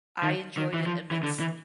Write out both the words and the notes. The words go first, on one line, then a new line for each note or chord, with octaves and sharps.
I enjoyed it immensely.
D#3
D#3
E3
F3
E3
D3
E3